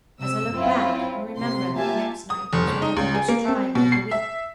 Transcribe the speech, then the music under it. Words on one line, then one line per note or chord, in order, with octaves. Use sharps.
As I look back, I remember that the next night was one of the most trying of the week.
C3 E6
F#2 C4 E4 F4
C3 C6
A#3 F4 G4 E5 G#5 A5
D#6
F1
F#1
D#4
C#2
G#4
A#3
C4
B2
C7
E5